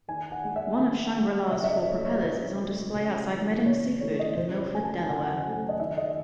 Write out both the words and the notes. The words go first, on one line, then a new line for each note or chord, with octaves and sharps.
One of "Shangri-La"s four propellers is on display outside Meding's Seafood in Milford, Delaware.
D#3 G#5
F#5
G#3
E5
D#3
G#3
C#3 E5
E5
D#5
F#3 A3 C#5
C#5
C#3 C5
F#3 A3
C#3
E3 A3
C#3 C#5
E3 A3 C#5
D#5
C#3 C5
C#5
F#3 A3 G#5
A5
C#3 F#5
G#5
F#5
F#3 A3
D#5
D#3 E5
D#5